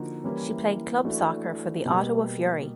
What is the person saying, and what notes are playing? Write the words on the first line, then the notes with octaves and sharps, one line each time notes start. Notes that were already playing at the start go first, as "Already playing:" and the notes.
She played club soccer for the Ottawa Fury.
Already playing: D3 F3 A#3 D#4 F#4
E3 G3 A#3 C#4 E4
E3 A3 D4 F#4
B2 G3 A#3